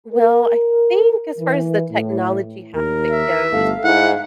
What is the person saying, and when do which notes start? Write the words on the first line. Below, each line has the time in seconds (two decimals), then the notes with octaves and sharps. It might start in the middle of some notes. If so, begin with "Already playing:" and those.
Well, I think as far as the technology half of it goes,
0.13 A#4
1.39 E3
1.91 A2
2.74 D#2 A#4
3.11 E5
3.52 G1 A3 F5
3.84 G#2 E4 F#5